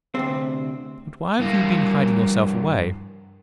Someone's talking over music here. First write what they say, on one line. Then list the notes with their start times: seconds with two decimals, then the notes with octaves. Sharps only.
But why have you been hiding yourself away?
0.15 D2 C3 C4
1.40 G2 A#3